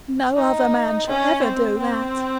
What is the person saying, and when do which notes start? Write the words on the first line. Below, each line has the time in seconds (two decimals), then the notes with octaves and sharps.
"No other man shall ever do that."
0.37 D#4
1.08 C#4
1.43 C4
1.79 C4